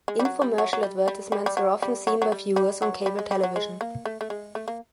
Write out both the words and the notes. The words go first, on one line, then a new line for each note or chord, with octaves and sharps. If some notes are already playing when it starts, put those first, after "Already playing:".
Infomercial advertisements were often seen by viewers on cable television.
G#3
G3
F#3
G3
F#3
F#3
G3
G3
G3
G3
F#3
G3
F#3
F#3
G3
G3
F#3
G3
G#3
G3
F#3
G#3
A#3
A3
A3
G#3
A3
A#3